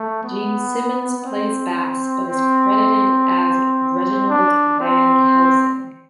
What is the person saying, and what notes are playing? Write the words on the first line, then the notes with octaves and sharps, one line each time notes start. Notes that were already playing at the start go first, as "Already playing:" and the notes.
Gene Simmons plays bass but is credited as Reginald Van Helsing.
Already playing: A3
B3
C4
C4
D4
C4